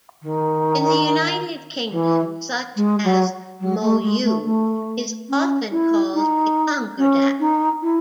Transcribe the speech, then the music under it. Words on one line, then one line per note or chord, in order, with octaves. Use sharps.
In the United Kingdom, such an MoU is often called a "concordat".
D#3
E3
G#3
F#3
F#3
A3
G#3
A3
A3
C#4
E4
D#4
C#4
D#4
E4